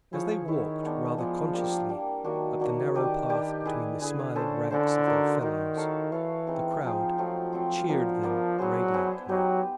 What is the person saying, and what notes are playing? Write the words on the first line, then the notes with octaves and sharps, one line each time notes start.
As they walked, rather consciously, up the narrow path between the smiling ranks of their fellows the crowd cheered them radiantly.
F3 E4 G#4 C#5
D#3 E4 G#4 C#5
G#3 B3 D4
F3 G#3 B3 D4
G3 A#3 D4
G3 A#3 D4
D#3 F#3 A#3 D4 F#4
F#3 A#3 D4 F#4
D#3 D4 G4 B4 D5
D4 G4 B4 D5
E4 G#4 B4
D3 E4 G#4 B4
C#4 E4 A4 C5
D3 C#4 E4 A4 C5
D#4 F#4 A#4 D5
D#3 D#4 F#4 A#4 D5
E4 A4 C#5 F5
E3 E4 A4 C#5 F5
C4 D#4 G#4
F3 C4 D#4 G#4
F#3 A3 C4 F4
F#3 A3 C4 F4
F3 B3 D4 F4 A#4
B3 D4 F4 A#4
F#3 B3 E4 G#4 C5
B3 E4 G#4 C5
F#3 D#4 G4 B4